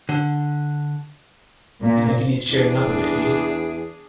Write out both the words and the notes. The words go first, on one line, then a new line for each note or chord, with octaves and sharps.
You think he needs cheering up a bit, do you?
D3
A#2
E2 D4 G#4